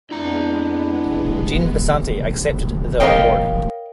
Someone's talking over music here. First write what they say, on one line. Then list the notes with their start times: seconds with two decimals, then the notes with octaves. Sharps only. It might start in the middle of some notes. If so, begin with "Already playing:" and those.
Jean Passanante accepted the award.
0.11 F2 G#3 B3 D4 E4 A#5
3.00 A#4 B4 C#5 D#5 F5 G5